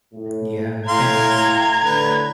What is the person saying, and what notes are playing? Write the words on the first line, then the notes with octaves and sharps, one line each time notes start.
Yeah, and
A2
A2 F5 G5 A#5 C6 G#6
A2 D3 B4